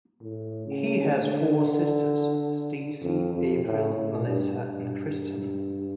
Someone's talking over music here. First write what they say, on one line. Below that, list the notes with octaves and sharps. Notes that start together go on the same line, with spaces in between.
He has four sisters: Stacy, April, Melissa and Kristen.
A2
C#3
D3
F2
F2
A2
A2
G2
G2